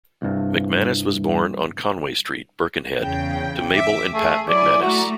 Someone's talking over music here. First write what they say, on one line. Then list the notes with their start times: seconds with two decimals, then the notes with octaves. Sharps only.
MacManus was born on Conway Street, Birkenhead, to Mabel and Pat McManus.
0.22 C2 G2
2.99 E2 C#3 G5
3.74 E5 D6
4.14 A3 G#4
4.49 F#3 E4 D5 G#5
4.82 A3 F#4 A#5